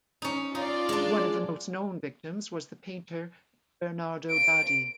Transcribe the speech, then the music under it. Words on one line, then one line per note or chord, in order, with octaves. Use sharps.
One of the most known victims was the painter Bernardo Daddi.
C#4 D#4
D#4 F4 D5
G#3 D4
D7